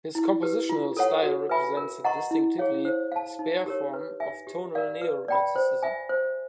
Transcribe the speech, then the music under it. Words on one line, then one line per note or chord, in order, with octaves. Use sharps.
His compositional style represents a distinctively spare form of tonal neo-Romanticism.
E4
G4 B4
F4
A4 C#5 F#5
F#4
B4 E5 G#5 B5
A#4
D#5 F#5 A#5 C#6
E4
G#4 C#5 F5
C5
F5 A5
D#4
G4 A#4 C#5
B4
E5 G#5
G4
A#4 D5 F5
B4
D5 G5 B5
C5
E5 G#5
C5